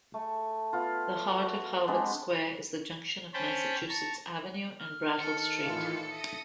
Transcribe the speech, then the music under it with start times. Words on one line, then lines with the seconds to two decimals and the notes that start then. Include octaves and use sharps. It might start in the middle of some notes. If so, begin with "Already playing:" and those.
The heart of Harvard Square is the junction of Massachusetts Avenue and Brattle Street.
0.14 A3
0.73 B3 F4
1.38 F#4
1.88 G#3 B3 C4 D4
3.34 C#4 C5 C#5 G5 A5 B5
3.89 A5 A#5 C#6
4.79 F6
5.19 D#3 A4 C#7
5.59 A2 E3 F4
6.09 E5 D#6 A#6 D#7